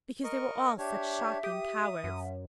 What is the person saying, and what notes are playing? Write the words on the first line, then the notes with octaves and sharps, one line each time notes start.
'Because they were all such shocking cowards.'
A#4 D#5 C#6
D4 G4 C#5 E5
G4 D#6
F#2